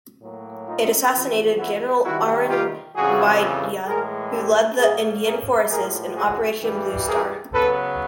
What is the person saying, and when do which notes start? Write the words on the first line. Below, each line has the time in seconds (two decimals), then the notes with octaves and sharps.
It assassinated General Arun Vaidya, who led the Indian forces in Operation Blue Star.
0.20 A2 F#3 A#3
0.66 D#4 F4
1.12 E2 C3 F3
1.57 E4 F#4
2.04 C3 D#3 G3 B3 E4 F#4
2.49 F4 G4
2.95 F2 C#3 E3 G3 F#4 G#4
3.87 A2 E3 G#3 G#4 A#4
4.32 G4 A4
4.78 A2 F#3 A#3 F#4 G#4
5.23 G#4 A#4
5.70 A2 F3 A#3 G#4 A#4
6.15 F#4 G#4
6.61 G2 E3 G3
7.06 G#4 A#4
7.52 C#3 F#3 B3 A4 B4